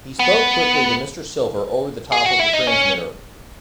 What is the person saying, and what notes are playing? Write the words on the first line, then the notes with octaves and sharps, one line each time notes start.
He spoke quickly to Mr. Silver over the top of the transmitter.
B3
G#4
F#4
E4
D#4
C#4